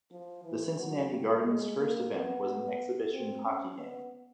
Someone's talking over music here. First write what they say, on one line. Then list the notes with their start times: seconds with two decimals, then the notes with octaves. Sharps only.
The Cincinnati Gardens' first event was an exhibition hockey game.
0.11 F3
0.44 E3
0.78 F#3
1.12 G3
1.45 G#3
1.78 A#3
2.12 B3
3.13 C4
3.46 C#4
3.80 B3